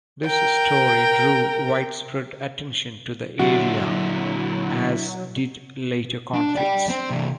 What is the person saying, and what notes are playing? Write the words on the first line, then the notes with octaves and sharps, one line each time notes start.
This story drew widespread attention to the area, as did later conflicts.
A#4 G5
A#2 D3 F#3 D4 E4 F#4
D4
D5 G5
C4
C3 E3